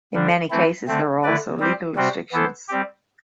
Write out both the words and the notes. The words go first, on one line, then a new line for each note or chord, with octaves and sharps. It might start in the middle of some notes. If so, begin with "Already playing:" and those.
In many cases there are also legal restrictions.
D3 G3 D4
E3 A3 C4 E4
D3 A3 C4
D3 A3 E4 B4 D5
G3 C4 G4 C5
C3 G3 C4 F#4 C5
E3 B3 E4 A4 C5
G3 C4 G4